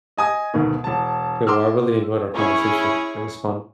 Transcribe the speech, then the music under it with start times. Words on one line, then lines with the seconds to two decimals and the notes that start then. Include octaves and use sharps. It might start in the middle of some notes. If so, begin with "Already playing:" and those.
Yeah, well, I really enjoyed our conversation, it was fun.
0.17 D#5 G#5 D#6
0.54 D2 G#2 B2 D#3
0.84 E1 A5
1.47 C6 D6 E6 F6
2.34 C#4 E4 G#4 C#5